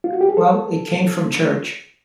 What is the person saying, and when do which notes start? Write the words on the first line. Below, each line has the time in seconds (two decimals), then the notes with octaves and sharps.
Well, it came from church.
0.04 F4
0.13 F#4
0.21 G4
0.29 G#4
0.37 A4